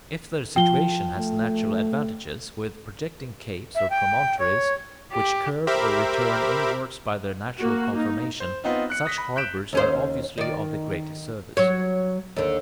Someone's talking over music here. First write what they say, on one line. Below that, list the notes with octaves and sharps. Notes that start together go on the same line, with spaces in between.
If their situation has natural advantages, with projecting capes or promontories which curve or return inwards by their natural conformation, such harbours are obviously of the greatest service.
F3 G5 G7
A3
E5
G5
C#5
G4
G4 A#4 C5 E5 B5 D6
A#3 F#4
D#4
C5
B3 C4 D#4 F4
F#6 C#7
D#6 A#6 B6
B5
F#6 G6 B6 D7 E7
D#2 C#4 C5
D#3 D5
F#3 C#5
D#2 D3